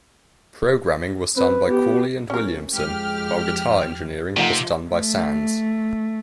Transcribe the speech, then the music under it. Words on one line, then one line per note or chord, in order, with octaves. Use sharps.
Programming was done by Cooley and Williamson, while guitar engineering was done by Sands.
C4 B4
B3 G4
B1 C#4 A#4
F2 G#3 G4 F6
C3 D#3 F3 A3 D#4 F#5
A3